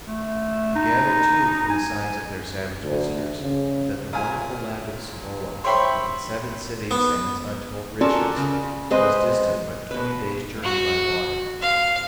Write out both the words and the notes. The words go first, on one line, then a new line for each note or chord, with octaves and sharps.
They gathered, too, from the signs of their savage visitors, that the wonderful land of Cibola, with its seven cities and its untold riches, was distant but twenty days' journey by water.
A3
D#4
G#5
D2
C#3
A#2 G#5
C5 C#5 E5 G5 B5 C6
B3
C#4 F4 F#4 A4 A#4 D5
C#3
G#3 C4 B4 C5 D#5
B2 B4
F#4
F5